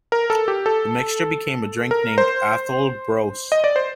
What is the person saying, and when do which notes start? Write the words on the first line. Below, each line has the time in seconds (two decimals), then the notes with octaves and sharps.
The mixture became a drink named Atholl Brose.
0.12 A#4
0.30 A4
0.48 G4
0.66 A4
1.91 A#4
2.18 C5
3.52 D#5
3.64 D5
3.76 C5